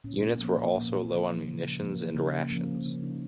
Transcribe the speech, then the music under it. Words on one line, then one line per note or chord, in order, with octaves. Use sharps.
Units were also low on munitions and rations.
A#2 C#4
A#3
F3 A#3 B3
A#3
A#2 A#3
F3 A#3
C#3
F3 A#3
C#3 A#3
F3 A#3 C#4
C#4
C#3 C#4
D#4